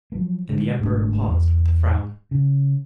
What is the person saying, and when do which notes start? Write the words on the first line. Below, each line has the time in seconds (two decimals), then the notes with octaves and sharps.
And the Emperor paused, with a frown.
0.12 F3 F#3 A#3
0.50 D3 G#3
0.79 G1 G#2 A3 D4
1.28 E2
2.31 C#3